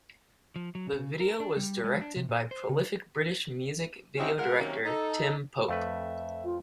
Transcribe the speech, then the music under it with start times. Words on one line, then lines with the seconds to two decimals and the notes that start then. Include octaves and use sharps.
The video was directed by prolific British music video director Tim Pope.
0.56 F3
0.75 F#3
0.87 C#3
1.20 A#4
1.40 D4
1.57 G3
1.84 G#3
2.01 D4
2.16 C3
2.29 A#2
2.51 C5
2.69 C#3
4.18 C4 C#4 D#4 E4 F#4 G4
4.38 G3 G#3 F4 A#4 F#5
4.60 C3 D#3 F#3 A#3 C#4
4.85 D#4 A4
5.68 F2 A3 B4 E5
6.44 F4